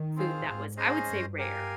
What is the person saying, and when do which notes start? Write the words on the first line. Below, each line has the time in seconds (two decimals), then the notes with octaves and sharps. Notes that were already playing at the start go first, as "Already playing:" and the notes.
food that was, I would say, rare.
Already playing: D#3
0.16 C4 F4 G#4 C5 F5
0.47 G#2
0.77 C#4 G#4 C5 D#5
1.07 G2
1.37 G4 A#4 F5 G#5